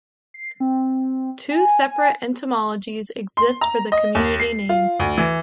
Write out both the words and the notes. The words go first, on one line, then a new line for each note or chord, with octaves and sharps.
Two separate etymologies exist for the community name.
C7
C4
G#5
C6
A#5
D#5
D#2
C7
F4
D2
E3